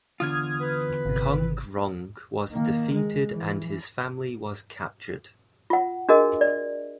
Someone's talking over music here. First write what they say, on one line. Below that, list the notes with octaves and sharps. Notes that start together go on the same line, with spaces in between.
Kong Rong was defeated and his family was captured.
E2 D3 F4 D#6 F6 G#6
B4
G#1 C3
D#3 A#3
G#3
E3
F4 F#5
D4 F#4 G#4 A#4 D#5
D5